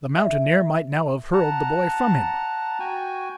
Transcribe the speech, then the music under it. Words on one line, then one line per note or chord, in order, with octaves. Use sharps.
The mountaineer might now have hurled the boy from him.
E5
F#5 A5 A#5
F#4 G5 G#5